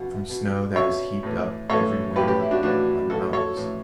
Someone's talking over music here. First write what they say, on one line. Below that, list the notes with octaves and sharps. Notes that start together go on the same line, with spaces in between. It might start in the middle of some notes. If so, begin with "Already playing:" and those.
"From snow that is heaped up every winter on the mountains."
Already playing: B2 F#5
B2
B2 C#5 E5
A2 E3
A2 E3 A4 C#5
A2 E3 G4 B4
G4 B4
E4
D4 F#4
A2 E3 D4 F#4
A2 E3 F#4 A4
A4 C#5
A2 E3